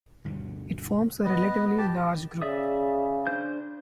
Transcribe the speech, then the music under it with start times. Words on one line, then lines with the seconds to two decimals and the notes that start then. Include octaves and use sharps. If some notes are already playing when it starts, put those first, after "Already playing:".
It forms a relatively large group.
0.25 D2 G2 B2 D3
1.25 B3 B4 D#5
1.78 G4 A5
2.42 C#3 D5 E5 D#6
3.27 D4 C5 G6